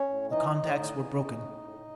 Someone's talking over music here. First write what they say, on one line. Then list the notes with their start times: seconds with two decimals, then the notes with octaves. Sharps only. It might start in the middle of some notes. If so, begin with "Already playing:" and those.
The contacts were broken.
Already playing: C#4 C#5
0.10 A2
0.31 E3 D#4 D#5
0.53 A2
0.67 C#5
0.75 A2 D#4 D#5
0.96 E3
1.18 E3
1.40 A2
1.62 A2